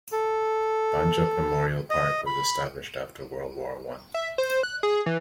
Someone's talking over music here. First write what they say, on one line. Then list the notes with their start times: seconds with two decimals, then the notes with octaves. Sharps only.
Banjup Memorial Park was established after World War One.
0.12 A4
1.90 D#5
2.26 B5
4.14 E5
4.38 C5
4.63 F#6
4.83 G#4
5.06 E3